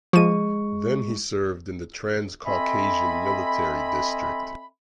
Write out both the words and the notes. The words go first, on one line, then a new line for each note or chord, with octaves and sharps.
Then he served in the Transcaucasian Military District.
F3 G#3 C#6 D#7
C4 A4 D#5 E5 G#5 B5